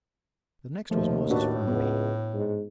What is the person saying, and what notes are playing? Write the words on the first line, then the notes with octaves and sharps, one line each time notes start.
The next was Moses Firmby.
D#2 F3 A3
A2 D4 F#4 B4
C#2 B3
G#2